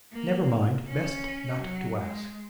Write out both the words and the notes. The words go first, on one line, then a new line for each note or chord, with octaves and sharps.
'Never mind, best not to ask....
A#3
C#4
F#3
G#3